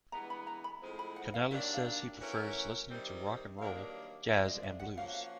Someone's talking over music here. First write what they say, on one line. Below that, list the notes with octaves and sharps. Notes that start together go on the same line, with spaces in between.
Connelly says he prefers listening to rock and roll, jazz, and blues.
G2 E3 G#3 B3 A#5
B5
A#5
B5
A2 F3 G#3 C4
B5
F#5
F5
D#3 F#3 A#3 D4 G4 E5
F5
E3 A3 C#4 F#4 A#4
C3 D#3 G3 C4
G2 D#3 F#3 A#3 D4 F5
F#2 D3 F3 G#3 E5
D#5
E5
F#5
F3 A#3 C#4 F#4 F5
F5